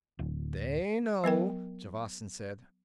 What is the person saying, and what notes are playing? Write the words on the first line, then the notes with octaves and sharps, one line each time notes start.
"They know," Javasan said.
D1
F#3 B3 A#4 G5